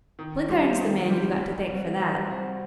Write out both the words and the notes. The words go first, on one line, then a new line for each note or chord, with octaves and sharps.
Blenkiron's the man you've got to thank for that.
D#3
G3 C4 G4 C5
D#3
G3 C4 G4 C5
G3
C4 F#4
G3
C4 F#4